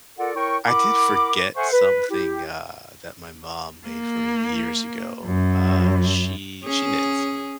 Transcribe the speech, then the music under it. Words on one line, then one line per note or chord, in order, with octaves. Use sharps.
I did forget something, uh, that my mom made for me years ago, uh, she she knits,
F4 A4 A#4 D5 F#5
E4 A#4 C#5 G5 C#6
E4 A#4 F#5 B5 D6
A4 C5 E5 F#5 G#5 C#6
B4
E4 G4
A#3
F#2
C#4 G#4